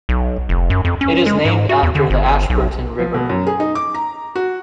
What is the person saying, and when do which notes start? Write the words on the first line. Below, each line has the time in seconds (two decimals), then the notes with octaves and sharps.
It is named after the Ashburton River.
0.09 B1
0.49 F1
0.70 F#2
0.85 F2
1.01 C#4
1.26 G#3
1.45 G#2
1.69 F#4
1.83 E2
1.95 D3
2.10 G1
2.50 B1
2.99 F3
3.14 B2
3.29 F#2
3.47 G#4
3.60 D#4
3.75 D6
3.94 A#5
4.36 F#4